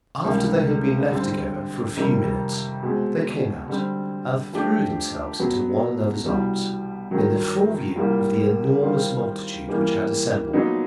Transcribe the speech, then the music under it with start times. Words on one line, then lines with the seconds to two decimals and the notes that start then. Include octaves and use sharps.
After they had been left together for a few minutes they came out, and threw themselves into one another's arms, in the full view of the enormous multitude which had assembled.
0.25 C#2 C3 D#3 G3
1.10 D3 G3 C4
1.97 F2 C3 D#3 G3
2.82 B2 G#3 C4
3.68 D3 G3 C4
4.53 F3 A3 D4 G4
5.39 B2 F#3 B3
6.25 C2 B2 G3 B3
7.11 G2 D#3 F#3
7.96 C2 A#2 G3 A#3
8.82 D#3 G3 C4 F4
9.68 E3 G3 A#3
10.53 A#2 F#3 B3 D#4